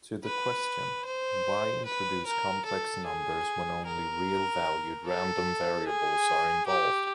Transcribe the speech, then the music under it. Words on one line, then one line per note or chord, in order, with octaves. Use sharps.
To the question Why introduce complex numbers when only real-valued random variables are involved?
B4
C5
B4
A#4
A4
G#4
A#4
A4
G#4
G4